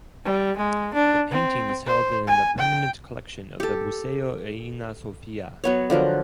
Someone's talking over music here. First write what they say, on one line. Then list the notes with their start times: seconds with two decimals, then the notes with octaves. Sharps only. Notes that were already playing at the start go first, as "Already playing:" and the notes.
The painting is held in the permanent collection of the Museo Reina Sofia.
0.25 G3
0.57 G#3
0.94 D4
1.31 C4
1.87 C5
2.27 G#5
2.58 G5
3.60 G4 A4
5.64 F#3 B3 C#5
5.90 D3 F3 F#3 A#4